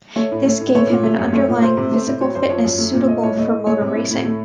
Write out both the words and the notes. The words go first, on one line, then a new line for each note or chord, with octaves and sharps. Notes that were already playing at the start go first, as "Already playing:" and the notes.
This gave him an underlying physical fitness suitable for motor racing.
A3 C#5
A2
A3
A2
A3 C#5
A#2
A3
F#2
A3 C#5
A#2
A3 C5
C3
A3
A2
F#3 C#5
F#2 C5
F3 C#5
F#2
A3
A#2
A3 D#5
A2 C#5
A3 D#5
A2
A3 C#5
C3
A2
A2
A3